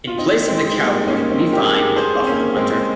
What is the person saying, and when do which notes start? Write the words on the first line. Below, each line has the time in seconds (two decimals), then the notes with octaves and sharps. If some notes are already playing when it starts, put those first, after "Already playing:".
In place of the cowboy we find the buffalo-hunter.
0.07 F4
0.18 C4 D#4
0.48 G#3 C4
0.78 G3 A#3
0.97 D#4
1.08 A#3 C#4
1.30 C4 D#4
1.52 G4 A#4
1.64 G#4
1.75 G4 A#4
1.96 G#4 C5
2.20 C4
2.27 A#3 C#4
2.57 G#3 C4